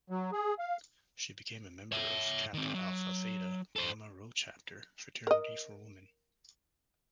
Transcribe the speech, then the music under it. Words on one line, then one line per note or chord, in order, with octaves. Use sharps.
She became a member of Kappa Alpha Theta, Gamma Rho chapter, fraternity for women.
F#3
G#4
F5
C#5 E5
D#3 C4
F#3
A4 C5
A#4 D#5